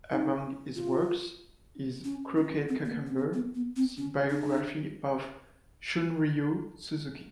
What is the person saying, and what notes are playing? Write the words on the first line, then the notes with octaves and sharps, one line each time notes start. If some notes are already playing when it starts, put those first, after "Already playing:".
Among his works is "Crooked Cucumber", the biography of Shunryu Suzuki.
D#4
F4
C#4
C#4
C4
A#3
C#4
C4
B3
B3
C4
C#4
D4